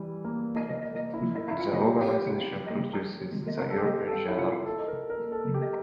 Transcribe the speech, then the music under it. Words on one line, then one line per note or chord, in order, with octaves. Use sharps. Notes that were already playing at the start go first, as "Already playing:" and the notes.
The organisation produces the European Journal.
Already playing: E3 G3
A#3
E4
E4
E4
F4
G4
G4
A4
G4
A4
E4
F4
A4
A#4
A#4
A4
G4